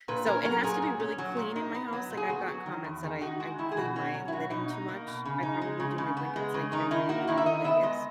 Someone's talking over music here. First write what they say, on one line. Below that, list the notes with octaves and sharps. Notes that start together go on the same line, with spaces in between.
so it has to be really clean in my house, like, I've gotten comments that I I clean my linen too much, I probably do my blankets, like, every couple days.
A#2 B4
C#4 A#4
F#3 A#4
A#2 G#4
A#2
C#4
F#3
A#2
D#4
B3
F#3
A#2
G#4
B3 F#4
F#3
D#3
E2
D#3 G#4
D#4 F#4
G#3 F#4
D#3 E4
G#4
B2 F#4
C#4 F#4
F#3
E4
B2 F#4
B2 D#4
D#4
A#3
B2
C#3
D#4
G#3
C#3
C#3
B3
G#3
C#3
D#3 D#4
D#4 E4
A#3 F#4
D#3 E4
E5
D#4 D#5
B3 E5
G#3 D#5